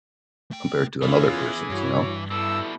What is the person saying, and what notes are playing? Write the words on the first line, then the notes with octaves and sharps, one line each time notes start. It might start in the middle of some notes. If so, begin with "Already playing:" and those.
compared to another person's, you know.
A3 G5
E3 B3 C#4 E4 F4 G#4
G2 E4 F#4 C#5
B2 G3 B3 E4 A4 E6